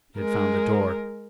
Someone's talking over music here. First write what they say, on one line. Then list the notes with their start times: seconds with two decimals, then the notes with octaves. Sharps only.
It had found the door!
0.18 G#3 A#4